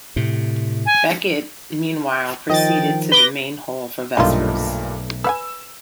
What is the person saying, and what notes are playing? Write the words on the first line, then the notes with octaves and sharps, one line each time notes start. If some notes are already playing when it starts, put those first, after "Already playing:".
Becket, meanwhile, proceeded to the main hall for vespers.
A2 C3
G#5
D#3 F3 D#5 G5 A6
B4 D6 A#6 B6 G7
B1 G2 A#2 A3 D#4 F4 D#5
B4 F#5 G#5 E6